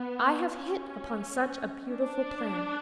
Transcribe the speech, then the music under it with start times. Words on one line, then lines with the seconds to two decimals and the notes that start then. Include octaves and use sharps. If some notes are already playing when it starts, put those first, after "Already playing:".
'I have hit upon such a beautiful plan.
Already playing: B3
0.55 C#4
1.88 D4